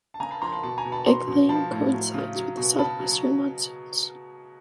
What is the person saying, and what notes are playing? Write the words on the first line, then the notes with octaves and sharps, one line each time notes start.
Egg laying coincides with the southwestern monsoons.
A5
C#3 G#5 A#5
A5 B5
F3 A#5 C6
A5 B5
B2 A5 B5
G#5 A#5
B2
A5 B5
B2 A#5 C6
B2
F3 A5 B5
A2
F#3
C#3
F#3
B2
C#3 A5 B5
F#3